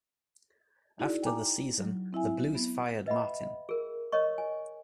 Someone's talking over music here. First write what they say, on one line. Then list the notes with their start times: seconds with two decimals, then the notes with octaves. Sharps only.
After the season, the Blues fired Martin.
0.99 D#4 E4 F#4 G#4 D5
1.23 G5 G#5 A#5 D6
1.78 F#3
2.13 C4 E4 E5 G#5
2.55 B3
3.06 B4 D#5 E5 F#5 B5
3.69 G#4 A#4
4.12 A#4 C#5 D#5 C#6
4.38 G#5